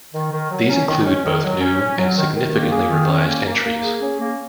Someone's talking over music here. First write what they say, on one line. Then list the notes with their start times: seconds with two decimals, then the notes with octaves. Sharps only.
These include both new and significantly revised entries.
0.13 D#3
0.32 D#3
0.51 F#3
0.69 C#4
0.87 D#3
1.06 C#4
1.24 D#3
1.43 F#3
1.61 C#4
1.80 C#4
1.98 F#3
2.16 D#3
2.35 D#3
2.54 A#3
2.72 G#4
2.90 D#3
3.09 C#4
3.27 A#3
3.46 A#3
3.64 A#3
3.83 G#4
4.01 C#4
4.20 A#3